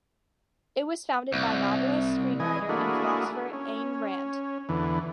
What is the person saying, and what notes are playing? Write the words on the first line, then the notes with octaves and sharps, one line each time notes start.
It was founded by novelist, screenwriter, and philosopher Ayn Rand.
C2
E3 D#5 G#5
A3 A#3 D4 E4 F#4 G#4
C#4
E2 D3 E3